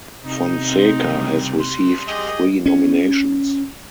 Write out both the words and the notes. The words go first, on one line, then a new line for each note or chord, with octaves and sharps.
Fonseca has received three nominations.
C3 D#4
C4
C#3 G3
G3 C6
G4 G#4 D#5
C#4